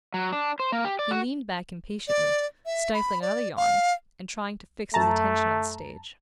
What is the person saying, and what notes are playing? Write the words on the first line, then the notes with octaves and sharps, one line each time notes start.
He leaned back impatiently, stifling another yawn, and trying to fix his attention on the stage.
F#3
D4
C5
A#3
G4
D5
F#4
D5
E5
B5
D5
F5
F#2 A3 A5 A#5